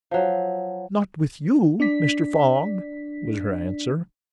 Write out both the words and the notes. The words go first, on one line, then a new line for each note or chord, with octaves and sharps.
"Not with you, Mr. Fogg," was her answer.
F3 F#3
D4 D5 B6